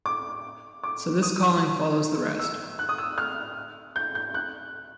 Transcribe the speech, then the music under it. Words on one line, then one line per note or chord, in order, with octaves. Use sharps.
So this calling follows the rest.
D6
D6
D#6
E6
F#6
D#6
E6
F6
G6
G6
F#6